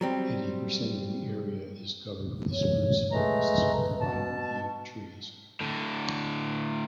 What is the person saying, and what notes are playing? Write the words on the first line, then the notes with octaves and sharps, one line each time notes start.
Eighty percent of the area is covered with spruce forests combined with yew trees.
F#3 G3 C4
C#5
G#3 A3 B4 A#5
B2 A5
A2 D3